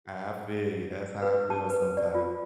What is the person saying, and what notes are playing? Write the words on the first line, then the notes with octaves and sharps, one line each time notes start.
I feel you, that's how I feel sometimes.
B4
A5
B4
D5
F4